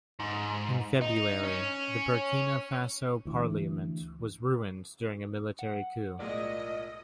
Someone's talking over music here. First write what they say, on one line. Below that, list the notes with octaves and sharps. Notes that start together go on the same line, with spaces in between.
In February the Burkina Faso parliament was ruined during a military coup.
G#2
D#4
C#4
D2 E3
F#5
B1 A2 G#3 F4 A#4 D5 D#5